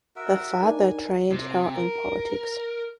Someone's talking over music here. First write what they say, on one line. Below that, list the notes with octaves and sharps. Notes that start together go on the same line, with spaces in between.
Her father trained her in politics.
F#4 A#4 E5
D4 D#4 A#4 G#5
C3
A#4